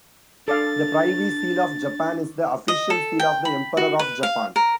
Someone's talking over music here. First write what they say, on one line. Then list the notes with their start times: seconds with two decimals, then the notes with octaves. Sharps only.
The Privy Seal of Japan is the official seal of the Emperor of Japan.
0.48 D4 A4 D5 F5 A6
2.68 D#5
2.90 A4
3.20 G5
3.45 B5
3.77 F#4
3.99 B4
4.23 F5
4.56 A#4